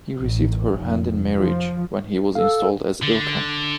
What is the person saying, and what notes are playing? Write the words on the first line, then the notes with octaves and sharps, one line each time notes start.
He received her hand in marriage when he was installed as Ilkhan.
A1
F1
F3
A4 F5
D3